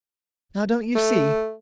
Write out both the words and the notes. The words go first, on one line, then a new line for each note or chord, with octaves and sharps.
'Now, don't you see!
A3